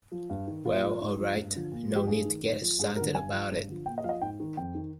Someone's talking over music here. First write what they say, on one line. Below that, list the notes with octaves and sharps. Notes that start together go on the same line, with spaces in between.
Well, all right, no need to get excited about it.
F3
G2
D#3
A#2 F4
F3
G#2
F3
G2
D3 F3
A#2
F3
G4
G2 G#4
D#3
G#2
F3
G2 G#4
D3 F3 A#4
G2 G#5
F3
G2
D3 F3
A#2 G5
D#5
F3 F5
D#5
G#2 G5
D#3
F2 G5
D#3